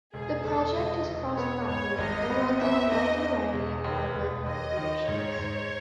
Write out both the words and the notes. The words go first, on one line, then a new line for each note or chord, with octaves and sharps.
The project is cross-platform, and runs on a wide variety of hardware configurations.
E1 G#4
E1 A4
E1 D#5
E1
B3 C#5
G#2 C#5
G#1 D#5
B3
E2 E5
E2 D#5
E2
E1
D#2 B4
E1
D#2 D#5
D#3
G#2 C#5
G#2